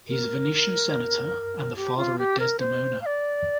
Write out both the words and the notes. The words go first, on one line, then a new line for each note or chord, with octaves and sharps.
He is a Venetian senator and the father of Desdemona.
A#4
G4
F4
G4
A#4
C5
F5
D5